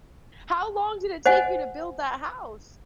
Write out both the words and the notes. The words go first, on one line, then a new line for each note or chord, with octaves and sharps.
How long did it take you to build that house?
C5 D#5 F#5 G#5